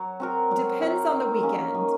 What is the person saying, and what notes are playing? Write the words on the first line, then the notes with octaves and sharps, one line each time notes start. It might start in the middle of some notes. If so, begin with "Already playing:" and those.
depends on the weekend,
Already playing: F#3
C4 F#4 A#4
F#3
C4 F#4 A#4
D#3
A#3 C#4
D#3